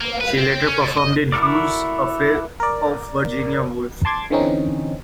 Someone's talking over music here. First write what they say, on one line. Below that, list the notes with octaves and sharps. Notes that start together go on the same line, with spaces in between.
She later performed in Who's Afraid of Virginia Woolf?
A#3
B4
C4
C#4
B2
D#5
E4 F#4 A4 A#4 D5
A#4 D5
A5 C6 D6 G#6 A6
D3 E3 C4 C#4 D#4